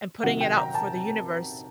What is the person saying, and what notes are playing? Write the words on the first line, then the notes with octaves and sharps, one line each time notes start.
and putting it out for the universe.
C3 D#3 F#3 F#5
G5
A#5
A5